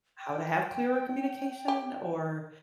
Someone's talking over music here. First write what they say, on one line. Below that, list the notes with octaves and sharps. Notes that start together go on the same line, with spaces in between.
how to have clearer communication? Or,
G5
G4